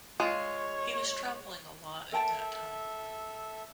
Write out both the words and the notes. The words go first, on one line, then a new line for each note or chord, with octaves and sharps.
He was traveling a lot at that time.
G#3 F4 C#5
A4 A#4 E5 G5 A5